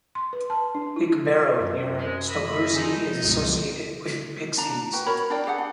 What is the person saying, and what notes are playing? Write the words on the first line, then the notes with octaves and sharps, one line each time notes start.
Wick Barrow, near Stogursey, is associated with pixies.
C6
B4
A5
D4
E4
F#2
G#3
D#5 E5 B5
F3 D#4 G#4
C#2 G2 B2
D4 A#5
F#4 B4 G5
F#4 A#4 C#5 B5
D4 A#4 D5 G5
G4 G#4 E5 F#5
D4